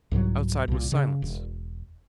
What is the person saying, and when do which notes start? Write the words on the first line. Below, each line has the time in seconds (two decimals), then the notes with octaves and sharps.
Outside was silence.
0.11 C2 G#2 E3 F#3
0.68 C2 A#2
0.92 C#3
1.22 E1